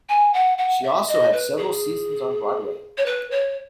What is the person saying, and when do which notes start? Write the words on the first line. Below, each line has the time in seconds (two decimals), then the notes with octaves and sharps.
She also had several seasons on Broadway.
0.09 G#5
0.34 F#5
0.58 F#5
0.83 E5
1.08 D#5
1.33 B4
1.57 G#4
2.98 C#5
3.06 B4
3.31 C#5